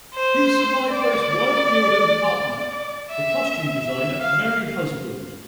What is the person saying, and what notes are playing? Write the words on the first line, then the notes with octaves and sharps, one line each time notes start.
He was survived by his wife Gilda and partner, the costume designer Mary Husband.
C5
D5
E5
E5
F5